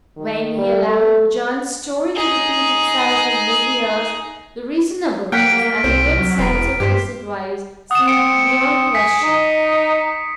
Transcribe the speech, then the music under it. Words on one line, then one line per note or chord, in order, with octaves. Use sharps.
When he allowed John's story to repeat itself in his ears, the reasonableness and good sense of his advice seemed beyond question.
D#3
G3
A3
D#4 G#4
A#3 F#5 G5 F6 B6 D7
C2 C4
F#3
E1 B3 A#5
G2 G4 C5
F#5 D#6 E7
C4 C#7 D7 E7
C4
G#5 B6
D#4